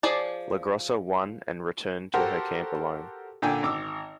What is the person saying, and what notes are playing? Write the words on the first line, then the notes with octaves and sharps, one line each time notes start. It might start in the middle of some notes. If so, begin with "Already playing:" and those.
LaGrossa won and returned to her camp alone.
F3 G#4 D5 A5
F#4 G4 A4 A#4 C5 F#5
A#2 D3 G5 G#5
G#1 D6 E6